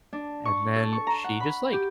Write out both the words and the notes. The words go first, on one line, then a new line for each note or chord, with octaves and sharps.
and then she just, like,
D4
C#6
A4
C#6
A#5
F#5
B5
G4